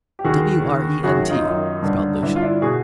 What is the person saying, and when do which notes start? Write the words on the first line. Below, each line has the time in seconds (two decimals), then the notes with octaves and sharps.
"W-r-e-n-t!" spelled Lucian.
0.19 G4
0.24 D#2 D#3 F#4 G#4
0.64 D#2 D#3
1.04 F#2 D#3 F#4 G#4
1.30 D#4 F4
1.43 F#2 D#3
1.82 G2 D3
2.22 G2 D3 D4 E4
2.36 F4
2.42 D4 E4
2.61 B2 F#4 G#4